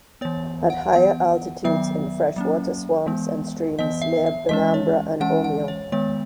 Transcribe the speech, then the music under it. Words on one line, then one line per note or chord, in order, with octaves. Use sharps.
At higher altitudes in freshwater swamps and streams near Benambra and Omeo.
E3 B3 C#5
F#5
E3 B3 F#5
D#3 F#3 B3 E5
F#3 A#3 C#4
E3 G#3 B3
E3 B3 D#5
E5
E5
E3 G#3 C#4 D#5
C#5
E3 G#3 C#4 F#5
F#5
C#5
D#3 G#3 B3 C#5